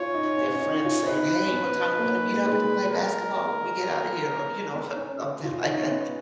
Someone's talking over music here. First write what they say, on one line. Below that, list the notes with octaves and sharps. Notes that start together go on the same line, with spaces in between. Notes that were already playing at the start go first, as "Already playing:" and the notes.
their friends saying, "Hey, what time you wanna meet up to play basketball when we get outta here?" Or, you know, something like that.
Already playing: C#4 F4 C#5
D#4
C#4
C#4
D#4
F4
D#4 B4
C#4
B3
A#3
A#3
G#3
A#4
B3
C#4
F4
D#4
C#4
B3